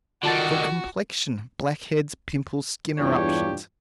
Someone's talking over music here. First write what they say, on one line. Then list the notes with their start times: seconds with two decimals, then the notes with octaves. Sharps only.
For complexion, blackheads, pimples, skin eruptions.
0.23 D3 D#3 F4 F#4 A5 A6
2.98 E2 G2 D4 F4 G4 C#5